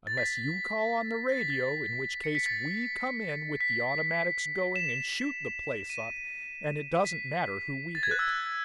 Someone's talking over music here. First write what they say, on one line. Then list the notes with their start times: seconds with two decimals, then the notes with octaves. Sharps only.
Unless you call on the radio, in which case we come in with the automatics going and shoot the place up, and it doesn't matter who we hit.
0.07 A6
0.17 B6
1.32 A6
1.41 B6
1.50 A6
2.24 C#7
2.35 B6
2.46 A6
3.60 B6
4.76 E7
5.90 D#7
7.05 B6
7.95 A6
8.03 G#6
8.11 F#6
8.19 E6